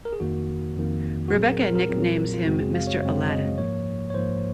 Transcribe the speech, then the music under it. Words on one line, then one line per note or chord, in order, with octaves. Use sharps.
Rebecca nicknames him "Mr. Aladdin".
A#4
G#4
F2 D#3 A#3 F#4
F2 D#3 A#3
F#4
A#2 F#3 C4 G#4
A#4
A#4
A#4
A#2 F#3 C4 F4
F4
F#2 C#3 G#3 C4 F#4
G#4
F5
C#5
F#2 C#3 G#3 C4 C#5
D#5
G#2 F3 A#3 C#5
C#5
G#2 F3 A#3 C5